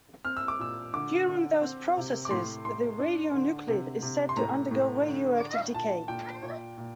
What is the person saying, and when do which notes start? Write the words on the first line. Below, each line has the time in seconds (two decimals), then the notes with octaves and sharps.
During those processes, the radionuclide is said to undergo radioactive decay.
0.25 C4 F6
0.37 E6
0.48 D6
0.59 A#2 E6
0.93 D3 D6
1.28 D3
1.62 C4
1.97 C3
2.25 D6
2.31 A2 C6
2.65 A2 C6
2.99 D4
3.34 D3
3.68 C3
4.03 C3
4.29 C6
4.36 A2 A#5
4.71 A2
5.06 D3
5.39 D3
5.74 A#2 A5
6.08 A#2 G5
6.43 A#2
6.78 A#2